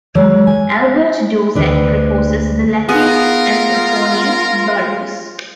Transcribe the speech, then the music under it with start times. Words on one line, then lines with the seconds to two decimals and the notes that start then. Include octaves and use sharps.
Albert Dauzat proposes the Latin anthroponym "Barus".
0.15 F#3 G#3
0.47 G#5
1.55 D2 D4 B4
2.89 B3 F4 G#4 A#4